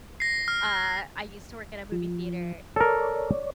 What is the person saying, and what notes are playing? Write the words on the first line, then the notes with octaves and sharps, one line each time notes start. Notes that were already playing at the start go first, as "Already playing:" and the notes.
uh, I used to work in a movie theater,
A#6 C7
F6
F3
A4 A#4 C#5 D5